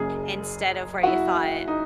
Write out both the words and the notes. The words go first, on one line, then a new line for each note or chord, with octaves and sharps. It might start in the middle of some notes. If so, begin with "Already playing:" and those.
instead of where you thought
Already playing: F#1 F#2 C#3 G#4
F#4
E4
D#4